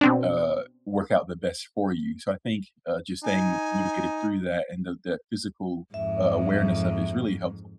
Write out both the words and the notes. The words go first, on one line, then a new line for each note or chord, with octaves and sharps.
uh, work out the best for you. So, I think, uh, just staying motivated through that and the the physical, uh, awareness of it is really helpful.
B2 C4 D4
D#4 G#5
F2 G#2 E5